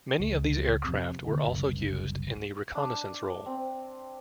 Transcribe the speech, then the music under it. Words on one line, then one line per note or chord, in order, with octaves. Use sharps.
Many of these aircraft were also used in the reconnaissance role.
C#2
F2 C3
D3 A#3
F#1 C2
D4
C4